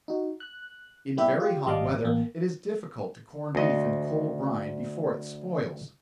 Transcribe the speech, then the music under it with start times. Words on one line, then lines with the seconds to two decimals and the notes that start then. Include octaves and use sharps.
In very hot weather, it is difficult to corn beef in cold brine before it spoils.
0.08 D#4 F#4
0.40 F#6
1.17 G3 B3 E4 G4 B4 E5
1.40 F4 G4
1.66 G#1 G3 D#5 F5 A5 D6
2.04 A1 A#3
3.55 D2 D#5